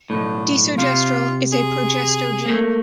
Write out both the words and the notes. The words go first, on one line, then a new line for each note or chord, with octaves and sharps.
Desogestrel is a progestogen.
B1 A2 D3
C3 F4
G#4
A3 A#3